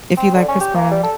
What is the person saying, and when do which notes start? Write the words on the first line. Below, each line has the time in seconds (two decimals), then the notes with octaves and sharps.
If you like Chris Brown.
0.17 C4
0.35 D3
0.48 C#4
0.60 G4
0.75 A#3
0.91 G3
1.03 A4